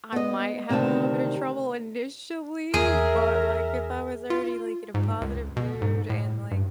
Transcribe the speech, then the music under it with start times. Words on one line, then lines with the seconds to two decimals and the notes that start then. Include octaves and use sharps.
I might have a little bit of trouble initially, but, like, if I was already, like, in a positive mood and, like,
0.12 B3 D#5
0.69 D2 C3 D#3 C4 A5
2.74 E2 G#4 A#4 E5
4.30 F4
4.94 G#2
5.21 C#2
5.57 B2
5.82 G#2
6.10 A2
6.51 G2